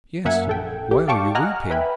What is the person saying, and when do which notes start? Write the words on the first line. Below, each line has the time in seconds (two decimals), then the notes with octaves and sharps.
'Yes, why are you weeping?'
0.25 F#2 A#3 E5 F#5 G#5 G#6
0.47 A#1 A4 G5
0.91 G4
1.08 D5 F5 G5 A5 C#6 D6
1.35 D#5 F#5 G#5 A#5 F6 F#6
1.70 B4 E5 G5 G#5 B5